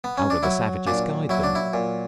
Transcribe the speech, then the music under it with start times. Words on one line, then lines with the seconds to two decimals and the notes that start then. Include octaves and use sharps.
How do the savages guide them?
0.04 B3
0.18 C#4
0.30 D4
0.43 F#3 E4
0.87 A#2 D4
1.29 F#3 E4
1.43 D4
1.55 E4
1.73 A#2